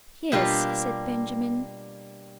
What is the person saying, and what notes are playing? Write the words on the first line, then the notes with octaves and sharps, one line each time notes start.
"Yes," said Benjamin.
B2 G3 A#3 D4 F4 G4